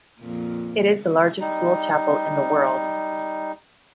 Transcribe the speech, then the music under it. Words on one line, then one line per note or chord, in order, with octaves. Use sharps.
It is the largest school chapel in the world.
F2 A#2
G3 D#4